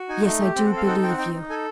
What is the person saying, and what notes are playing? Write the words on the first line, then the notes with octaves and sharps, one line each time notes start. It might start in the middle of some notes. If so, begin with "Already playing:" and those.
'Yes, I do believe you.
Already playing: F#4
D#4 G#5
A3
G4
C4 G5
F#5
A4
F5
D#4 F#5
C4 G5
F#5
D#4 G5
D#4
A4 G#5